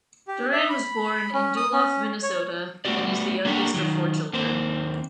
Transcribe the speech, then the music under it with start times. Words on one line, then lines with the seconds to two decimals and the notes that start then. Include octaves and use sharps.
Doran was born in Duluth, Minnesota and is the youngest of four children.
0.28 G4
0.52 E5
0.69 B5
1.34 C#4
1.57 D#6
1.73 C#4
2.23 C#5
2.85 A3 B3 C#4 F#4 G4 D5
3.45 A#3 D4 F#4 G4 A4 A#4
3.74 D#3 F#3
4.33 D#2 A#3 C4 C5